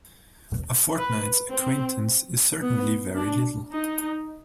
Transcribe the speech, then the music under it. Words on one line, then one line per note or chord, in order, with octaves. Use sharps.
A fortnight's acquaintance is certainly very little.
B4
C4
B3
D4
D#4